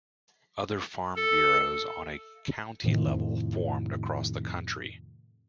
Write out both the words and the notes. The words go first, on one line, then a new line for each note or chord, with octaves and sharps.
Other farm bureaus on a county level formed across the country.
A4
F2 A2 C3 D#3 F3